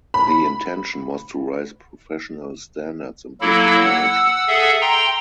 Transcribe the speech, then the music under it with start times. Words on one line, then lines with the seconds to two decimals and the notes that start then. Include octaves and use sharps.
The intention was to raise professional standards in British management.
0.14 B5
3.41 F#3 A#3 E4 A4
3.80 F#5 E6
4.48 G#4 A4 E5 F#5
4.81 G5 A#5 C6